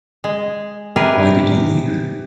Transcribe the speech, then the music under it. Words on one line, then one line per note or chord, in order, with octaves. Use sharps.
Why did you leave?
G#3
C3 G#4 A#4 B4